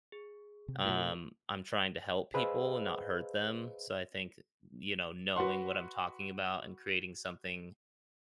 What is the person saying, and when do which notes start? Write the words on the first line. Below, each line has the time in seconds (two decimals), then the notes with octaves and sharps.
um, I'm trying to help people and not hurt them, so, I think, you know, knowing what I'm talking about and creating something
0.12 G#4
0.68 C3
0.85 B2 A3 F4 G4 A#4
2.34 G#4 B4 C5 D#5 F5 E6
5.36 F#4 B4 F#5 C6